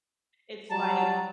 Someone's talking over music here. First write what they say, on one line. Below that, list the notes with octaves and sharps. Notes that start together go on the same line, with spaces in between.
it's like
F#3 G3 A5 A#5